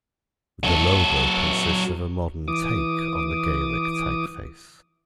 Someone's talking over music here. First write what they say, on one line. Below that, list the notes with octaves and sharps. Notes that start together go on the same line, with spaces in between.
The logo consists of a modern take on the Gaelic type face.
F#3 A4
E3 D6 D#6